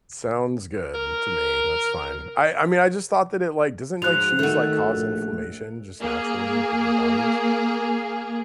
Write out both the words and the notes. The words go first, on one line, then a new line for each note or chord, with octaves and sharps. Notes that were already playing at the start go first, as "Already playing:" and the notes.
Sounds good to me, that's fine. I I mean, I just thought that it like doesn't like cheese like cause inflammation just naturally in people's bodies?
A#4
G#2 F3 F#3 F#6 F7
D#3 A3 F#4
A#1
A#3 G#4